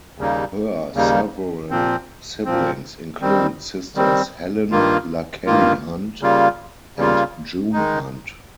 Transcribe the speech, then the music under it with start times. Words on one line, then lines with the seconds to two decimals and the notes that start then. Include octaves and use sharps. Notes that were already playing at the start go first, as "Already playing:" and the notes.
Her several siblings include sisters Helen LaKelly Hunt and June Hunt.
0.18 D#2 C#3 G3 A#3 D#4
0.93 D#2 C#3 G3 A#3 D#4
1.70 A#2 F3 C4
2.45 A#2 F3 C4
3.20 D#3 G3 C4
3.95 D#3 G3 C4
4.71 G2 D#3 A#3 F4
5.46 G2 D#3 A#3 F4
6.21 C#3 G3 A#3 F4
6.98 C#3 G3 A#3 F4
7.72 D#3 G#3 D#4